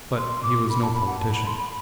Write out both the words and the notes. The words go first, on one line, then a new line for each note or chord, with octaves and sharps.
But he was no politician.
C6
D6
B5
A5
B5
F#5
A5
B5
C6
B5